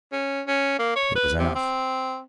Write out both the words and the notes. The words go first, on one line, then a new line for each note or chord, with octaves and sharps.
It was enough.
C#4
C#4
A#3
C#5
B4
C3
C4